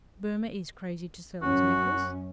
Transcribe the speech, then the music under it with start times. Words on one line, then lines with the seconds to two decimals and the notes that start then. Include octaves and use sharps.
Boehmer is crazy to sell his necklace.
1.42 F#2 C#4 F#4